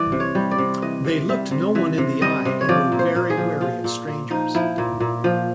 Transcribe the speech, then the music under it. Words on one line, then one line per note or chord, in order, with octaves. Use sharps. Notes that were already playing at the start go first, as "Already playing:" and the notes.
They looked no-one in the eye and were very wary of strangers.
Already playing: E3 G3 D5
C3
C#5
G3
D5
C3
E3 D#5
C3
G3 E5
C3
E3 E5
C3
G3 D#5
C3
C#5
F3 D5
A#2
C5
A#2
G#4
F3
F3 F4
A#2
A#2
F3 D#4
F3 E4
A#2
A#2
F3